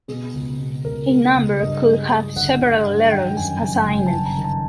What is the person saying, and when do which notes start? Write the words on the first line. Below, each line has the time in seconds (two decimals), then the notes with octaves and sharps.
A number could have several letters assigned.
0.08 B2 G#4
0.34 C#2
0.59 B2
0.84 C#2 A#4
1.10 G#3
1.35 C#2
1.60 G2 D#5
1.85 G#3
2.10 G#3
2.36 G1 F#5
2.61 G1
2.86 G2
3.12 D#3 G5
3.37 F#2 G#5
3.62 F#1 G#5
3.88 F#1 G#5
4.06 A5
4.13 F#2
4.25 A#5
4.38 D#3
4.44 A5